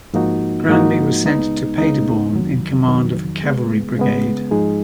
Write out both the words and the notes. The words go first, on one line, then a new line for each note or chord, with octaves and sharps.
Granby was sent to Paderborn in command of a cavalry brigade.
G#2 F3 A#3 D#4 F#4
G#2 F3 A#3 D#4 F#4
C#2 C#3 G#3 B3 D#4
C#2 C#3 G#3 B3 D#4
F2 D#3 F#3
F2 D#3 F#3
C#3 G#3 B3
C#3 G#3 B3
G#2 F3 G#3 D#4 G#4